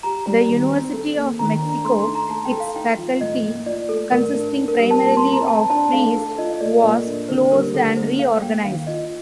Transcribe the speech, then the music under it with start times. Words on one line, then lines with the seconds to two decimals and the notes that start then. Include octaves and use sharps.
The University of Mexico, its faculty consisting primarily of priests, was closed and reorganized.
0.03 G4 A#5
0.26 G3 A#5
0.49 D#3
0.71 C4
0.93 A4
1.17 A#3
1.39 D#3 A#5
1.54 A#5
1.62 D4
1.69 A#5
1.84 A3 C6
1.99 C6
2.07 D#4
2.15 A#5
2.30 A3 A5
2.45 G5
2.52 A4
2.60 F5
2.76 D#4 G5
2.97 F3
3.21 A2 D#5
3.43 A#3
3.66 F4 D5
3.89 A3 A4
4.11 A2 A#4
4.34 D4
4.57 D#4
4.68 A#4
4.79 G3 A#4
4.91 A5
5.02 A#2
5.17 C6
5.24 C4
5.33 A#5
5.47 C5 A5
5.70 D4 A5
5.93 A3 F5
6.16 A4
6.38 F4 D#5
6.53 D#5
6.61 A3 D5
6.83 A#2 A#4
7.06 D4
7.29 D3 C5
7.51 G3 A#4
7.74 D3 A4
7.97 A#3 C5
8.19 A4 F5
8.42 A#3 G5
8.65 D#3 F5
8.87 F4 D#5